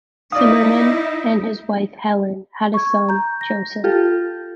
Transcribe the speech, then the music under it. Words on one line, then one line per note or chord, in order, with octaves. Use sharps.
Zimmermann and his wife, Helen, had a son, Joseph.
D#4 E4 D5 F5 D#6
C#6 G#6
A#5 G6
A#6
F4 G4 A4